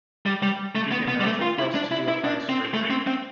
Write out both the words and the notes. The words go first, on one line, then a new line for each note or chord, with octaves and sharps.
It became natural for us to do a high stroke rate.
G3
G3
A3
B3
B3
G3
A3
F4
E4
D4
E4
E4
D4
C4
A3
C4
C4